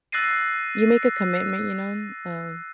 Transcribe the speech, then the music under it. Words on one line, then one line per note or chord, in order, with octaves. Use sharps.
you make a commitment, you know, uh,
E6 F#6 A6 A#6 C7 D#7